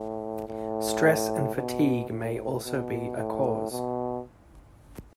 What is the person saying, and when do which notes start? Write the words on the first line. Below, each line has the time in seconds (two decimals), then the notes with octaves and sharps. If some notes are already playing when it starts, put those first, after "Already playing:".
Stress and fatigue may also be a cause.
Already playing: A2
0.48 A2
1.55 B2
2.09 A2
2.64 B2
3.17 A2
3.71 B2